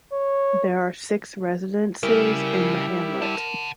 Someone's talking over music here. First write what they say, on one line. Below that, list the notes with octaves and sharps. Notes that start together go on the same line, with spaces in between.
There are six residences in the hamlet.
C#5
C#3 G3 E4 A#4
F#5 A5